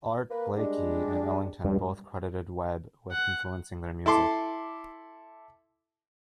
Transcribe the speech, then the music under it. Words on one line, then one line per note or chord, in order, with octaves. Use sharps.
Art Blakey and Ellington both credited Webb with influencing their music.
A#3 B4
G3 G#3 D4
C#2 G2
F#5
E4 A4 C6 D6